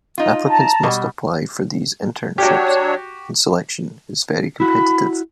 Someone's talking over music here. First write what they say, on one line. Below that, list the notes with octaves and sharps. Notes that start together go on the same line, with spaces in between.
Applicants must apply for these internships, and selection is very competitive.
D#4 F4
A5 A#5
B2 G3
F#3 D4 F#4 G4 C#5
E4 F#4 B5